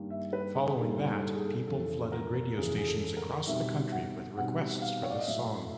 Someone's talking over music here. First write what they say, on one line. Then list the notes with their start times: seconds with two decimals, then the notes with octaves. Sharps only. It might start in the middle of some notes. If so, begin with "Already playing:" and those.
Following that people flooded radio stations across the country with requests for this song.
Already playing: G2 D#3 G3 A#3
0.10 E5
0.33 B4
0.55 G#4
0.78 G2 D#3 G3 A#3 A4
1.22 A4
1.34 G#4
1.46 A4
1.67 F2 C#3 E3 A4
2.12 A#4
2.57 F2 C#3 E3 G#4
2.78 G#4
2.87 A4
3.17 A#4
3.47 B2 G3 C4 D#4 E5
3.92 F#5
4.37 B2 G3 C4 D#4 F#5
4.82 F5
5.03 C#5
5.10 D5
5.19 D#5
5.27 A2 F#3 A3 E5